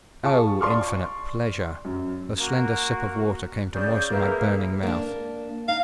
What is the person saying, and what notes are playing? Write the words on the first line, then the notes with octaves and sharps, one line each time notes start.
Oh! infinite pleasure! a slender sip of water came to moisten my burning mouth.
F4 G#4 A5 C#6
D5 C6 C#6 F6
F#2
A#3 F#4
C#3 D5 G6
A#3 G#4 A#4 B4 E5 F5
A#3 D4
D#4 F5